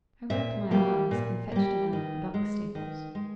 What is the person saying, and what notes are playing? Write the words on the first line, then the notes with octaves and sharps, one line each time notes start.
'I rubbed my eyes, and fetched 'em out of the "Buck" stables.
A#2 E5
G3 A#3
A#2
G3 A#3
D#3
G#3
D#3
G#3